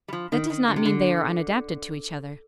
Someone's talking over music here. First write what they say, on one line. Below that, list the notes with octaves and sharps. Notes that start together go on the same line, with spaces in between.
That does not mean they are unadapted to each other.
G3
F3
D#3
D#3
D3
C3
D3